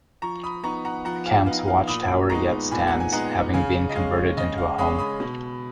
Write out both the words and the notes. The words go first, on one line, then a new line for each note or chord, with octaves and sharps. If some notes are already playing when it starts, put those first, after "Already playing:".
The camp's watchtower yet stands, having been converted into a home.
F3 A#5 C#6
B5 D#6
B3 D#4 A#5 C#6
F#5 A#5
F3 F#5 A#5
F5 G#5
B3 D#4 F5
F5
A#2 B5 D#6
G#3 B3 D#4 A#5 C#6
A#2 G#5 B5
F#5
G#5
G#3 B3 D#4 F#5 A#5
C#3 F5 G#5
D#5
G#3 C#4 F5
C#3 D#5
F5
G#3 C#4 B5 D#6
B5 D#6
B2